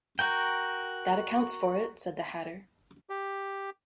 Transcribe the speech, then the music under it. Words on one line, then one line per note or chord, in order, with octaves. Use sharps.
That accounts for it,’ said the Hatter.
F#4 A#4 G5
G4